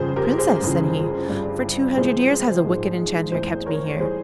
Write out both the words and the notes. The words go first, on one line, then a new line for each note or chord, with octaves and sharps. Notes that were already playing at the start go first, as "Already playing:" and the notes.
'Princess,' said he, 'for two hundred years has a wicked enchanter kept me here.
Already playing: G1 F2 C#3 G#4 C5
G4 A#4
G#4 C5
G1 F2 C#3 E3
G1 G2 G3
C#2 C3 E3 G#4 C5
A#1 G#2 F3 G#3
F1 E2 E3 G#3 G#4 C5
A#4 C#5
E3 G3 G#4 C5